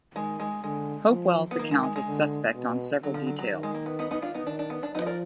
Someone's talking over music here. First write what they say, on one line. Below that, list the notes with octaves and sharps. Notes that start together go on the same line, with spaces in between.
Hopewell's account is suspect on several details.
D#3 G#3
G#3
D3 G#3
F3
B3
D#3 A#3
G#3
G#3
G#3
D3
B2
D3 F#3
F3
F#3
F#3
D#3
G#3
A#3
B3
B3 D#4
B3 D#4
D4 F4
B3 D#4
D#3 D4
D4
B3
D4
F3 B3 D#4
D#5
A#4 D5